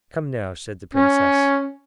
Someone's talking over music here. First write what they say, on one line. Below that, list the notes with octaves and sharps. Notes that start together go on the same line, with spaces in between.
"Come now," said the princess.
C#4